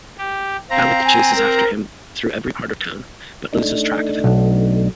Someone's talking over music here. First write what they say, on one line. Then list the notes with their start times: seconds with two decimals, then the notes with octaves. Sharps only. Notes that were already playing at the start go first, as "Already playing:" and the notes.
Alec chases after him through every part of town, but loses track of him.
0.18 G4
0.70 C4 F5 A#5
1.05 G#5
1.36 A#4
3.53 A3 D4 D#4
4.24 B1